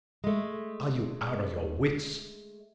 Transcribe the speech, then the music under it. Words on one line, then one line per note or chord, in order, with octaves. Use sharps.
Are you out of your wits?
G#3 A3